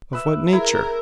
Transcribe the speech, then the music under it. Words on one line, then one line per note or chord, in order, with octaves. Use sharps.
Of what nature?
B4 E5
E4 G#4 A#4 A#5